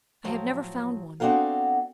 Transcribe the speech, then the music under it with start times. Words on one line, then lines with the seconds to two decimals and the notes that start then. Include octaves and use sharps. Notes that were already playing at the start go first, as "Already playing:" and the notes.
I have never found one.
0.25 A2 F3 F#3
1.20 B3 C4 D4 F#4 A4 F5